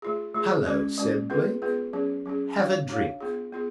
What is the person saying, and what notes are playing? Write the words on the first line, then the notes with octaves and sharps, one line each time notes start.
"Hallo," said Blake, "have a drink."
A3 F4 G#4
A3 F4 G#4
G#3 C#4 F#4
G#3 C#4 F#4
B3 F4 G#4 B4
B3 F4 G#4 B4
F#3 C#4 G#4
F#3 C#4 G#4
D4 F#4 C#5 F5
D4 F#4 C#5 F5
B3 F4 G#4
B3 F4 G#4